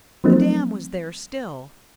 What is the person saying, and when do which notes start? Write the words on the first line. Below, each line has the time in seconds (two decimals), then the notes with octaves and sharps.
The dam was there still.
0.24 F3 F#3 A3 A#3 C4 D#4